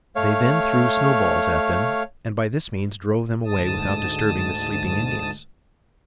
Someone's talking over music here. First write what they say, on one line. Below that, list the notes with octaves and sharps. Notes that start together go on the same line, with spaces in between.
They then threw snow-balls at them and by this means drove them away without disturbing the sleeping Indians.
A3 C#5 F5
D2 G#2 A5 D#6